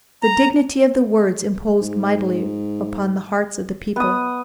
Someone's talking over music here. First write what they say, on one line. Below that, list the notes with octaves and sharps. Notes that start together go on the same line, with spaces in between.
The dignity of the words imposed mightily upon the hearts of the people.
A#5
G#2
B3 D#6